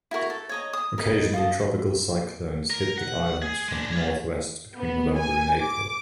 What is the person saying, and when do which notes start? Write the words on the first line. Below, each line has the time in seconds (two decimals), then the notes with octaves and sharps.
Occasionally tropical cyclones hit the islands from the northwest between November and April.
0.11 E4 F#4 A#4 C#6
0.30 A4
0.49 C#5 D#5 A#5
0.73 D#6
0.98 A#4 B4 D#5
1.34 F4 D#5 A5
2.70 A#4
2.98 F#5
3.42 G#4
3.68 G#3 D4
3.93 F4 C#5
4.76 B3
5.17 G#5
5.60 D6